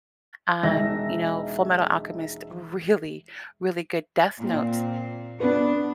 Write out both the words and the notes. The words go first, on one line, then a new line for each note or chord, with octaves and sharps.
Um, you know, Fullmetal Alchemist, really, really good. Death Note,
E1 D#4 E5 A#6
A#2 C4
B3 D4 B4